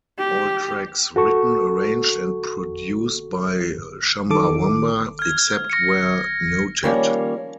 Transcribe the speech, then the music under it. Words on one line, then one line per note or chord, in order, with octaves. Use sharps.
All tracks written, arranged and produced by Chumbawamba, except where noted.
G4
F#4 A4 C#6
D#3 A4 D6
F6 G#6
A#6 C#7
D#3 F3 G3 A#3 C#4 C#5